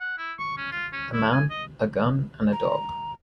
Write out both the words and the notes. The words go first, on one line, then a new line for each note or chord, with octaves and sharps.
A man, a gun, and a dog.
F#5
E4
C#6
C#4
F4
C#4
E4
G#5
D#5
A#5